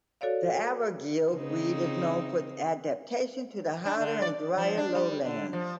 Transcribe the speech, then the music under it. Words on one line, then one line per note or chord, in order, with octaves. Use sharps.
The Abergele breed is known for its adaptation to the hotter and drier lowlands.
F#4 A4 C#5 D5 F5
C#3 C4 D#4
D4
D3
D5
F3
D4
G3
D3
F3